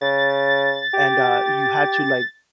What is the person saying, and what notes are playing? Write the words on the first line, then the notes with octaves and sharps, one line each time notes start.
and, uh, you had to, like,
C#3 A6
G4